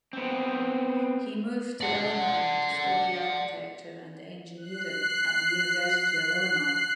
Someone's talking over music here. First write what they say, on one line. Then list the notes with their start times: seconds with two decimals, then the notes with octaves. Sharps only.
He moved to Illinois to study architecture and engineering at the University of Illinois.
0.13 B3 C4
1.81 D5 F#5
4.57 F#6 C7